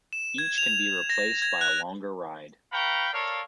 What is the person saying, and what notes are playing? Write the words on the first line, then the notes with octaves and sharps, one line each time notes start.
Each can be replaced by a longer ride.
E7
G#6
F7
A#6
G#6
F#6
B4 F5 G5 A#5 B5 C#6
A4 A#4 C#5 D5 F5